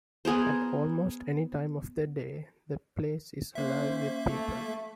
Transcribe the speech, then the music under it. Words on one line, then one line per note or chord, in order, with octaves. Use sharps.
At almost any time of the day, the place is alive with people.
B3 G#4 A#4 C5
A#3 C#4 C5 E5
A3